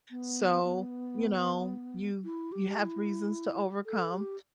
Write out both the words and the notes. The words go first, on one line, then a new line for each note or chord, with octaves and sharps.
so, you know, you you have reasons to overcome
B3
B3
E4
G4
E4
A4
G4